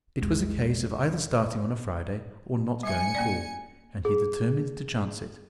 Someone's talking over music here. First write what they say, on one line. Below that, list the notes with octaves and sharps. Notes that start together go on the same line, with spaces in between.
It was a case of either starting on a Friday or not going at all, and he determined to chance it.
A#1 E2 G#3
G3 E5 G#5 C#7
A#3 C#4 D5
G#4